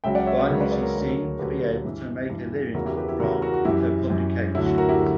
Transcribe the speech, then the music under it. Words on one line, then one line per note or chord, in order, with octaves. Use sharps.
Finally she seemed to be able to make a living from her publications.
C#2 C#3 F#3 E5 G5
D5 F#5
C#5 E5
B4 D5
C#2 C#3 F#3 A#4 C#5
B4 D5
B4 D5
A#4 C#5
D2 D3 F#3
D2 D3 F#3 G4 B4
G2 E3
G2 E3
E2 C#3 E3 F#4 A#4
E4 G4
G4 B4
E4 G4
E2 C#3 E3 F#4 A#4
F#4 A#4
F#4
F#2 E3 E4 G4
F#2 E3
D2 D3 F#3 E4
F#4
F#4 A#4
E4 G4
D3 F#3